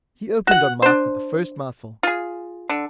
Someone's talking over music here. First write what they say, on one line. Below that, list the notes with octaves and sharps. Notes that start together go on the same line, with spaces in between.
He opened on Mike with the first mouthful.
F#4 F#5
D4 C5
F4 G#4
D3